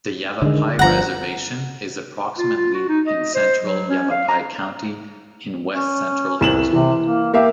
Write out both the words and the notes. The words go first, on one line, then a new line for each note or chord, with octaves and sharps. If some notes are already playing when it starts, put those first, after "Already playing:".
The Yavapai reservation is approximately in central Yavapai County in west-central Arizona.
D3 D#3 G#3
G1 F3 F#5 A#5
F4
F4
F#4
D#4
D#5
C5
F#3
C#4
F5
A#5
C#4
C2 E7 F#7
C3 E3
A#3
A#3 G4 E5 F5